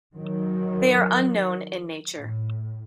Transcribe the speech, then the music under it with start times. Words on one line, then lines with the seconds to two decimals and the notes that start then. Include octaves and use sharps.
They are unknown in nature.
0.14 D#3 F#3
2.16 A2